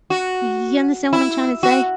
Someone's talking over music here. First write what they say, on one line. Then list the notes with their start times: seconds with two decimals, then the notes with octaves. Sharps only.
Y you understand what I'm trying to say?
0.10 F#4
1.13 E4
1.63 F#4